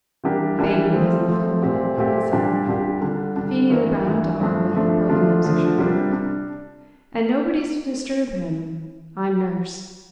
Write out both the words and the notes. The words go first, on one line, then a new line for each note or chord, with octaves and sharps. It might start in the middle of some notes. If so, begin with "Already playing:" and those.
"Baby doesn't feel well," he said, feeding the brown dog with broken lumps of sugar, "and nobody's to disturb him--I'm nurse."
E3 G3 A#3 D4 G4
E3 G3 A#3 D4 G4
F3 A3 C4
F3 A3 C4
A#2 A3 C4 G4
A#2 A3 C4 G4
A#2 G3 D4 G4
A#2 G3 D4 G4
D3 G3 D4
D3 G3 D4
G2 E3 A#3
G2 E3 A#3
G2 F3 A3 D4
G2 F3 A3 D4
D3 F3 A3 D4 F4
D3 F3 A3 D4 F4
C3 G3 A#3 D4
D4